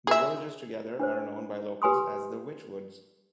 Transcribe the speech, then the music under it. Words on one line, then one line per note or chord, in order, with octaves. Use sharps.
The villages together are known by locals as "The Wychwoods".
G#4 E5
D4 B4 C5
G4 B4 G#5 C6 D#6